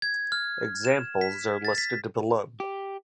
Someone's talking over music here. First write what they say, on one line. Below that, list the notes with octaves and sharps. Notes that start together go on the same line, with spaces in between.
Examples are listed below.
G#6
F6
E7
B6
A6
B6
G4